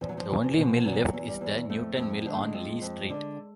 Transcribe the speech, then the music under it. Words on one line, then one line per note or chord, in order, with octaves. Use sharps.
The only mill left is the Newtown Mill on Lees Street.
E2 F3
F#3
F3
E2
F3
E3
B2 F3
F3
E2 F#3
E2
G3
E2
F2 A3
F2 A3
D3 G#3
A3
G#3
F2
F2
D3